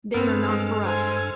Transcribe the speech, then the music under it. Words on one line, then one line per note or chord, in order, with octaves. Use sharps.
They are not for us.
G2 B3 C4 A4 F6
G#3
C5 G#5